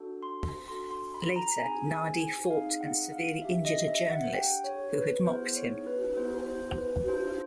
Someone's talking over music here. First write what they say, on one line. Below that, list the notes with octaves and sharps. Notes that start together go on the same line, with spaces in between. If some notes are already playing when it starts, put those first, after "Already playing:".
Later Nadi fought and severely injured a journalist who had mocked him.
Already playing: D4 F#4 A4
C6
D4 F#4 A4 C6
C6
B5
A#5
C4 D#4 G#4 G#5
G#5
G#5
C4 D#4 G#4 F5
F#5
F5
D4 G4 E5
D#5
E5
F#5
D4 G4 G5
C#5
B4
B3 E4 G#4 C5
C#5
B4
B3 E4 G#4 C5
C5
B4
D4 F4 G#4 C5